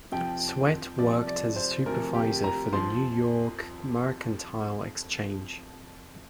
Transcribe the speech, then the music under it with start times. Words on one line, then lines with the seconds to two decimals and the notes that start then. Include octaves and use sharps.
Sweat worked as a supervisor for the New York Mercantile Exchange.
0.12 F2 C3 F3 G5
0.98 C2 C3 F3 D5
1.27 D5
1.56 C5
1.86 D2 C3 F3 A#4
2.14 G4
2.44 A#5
2.73 F2 F3 C6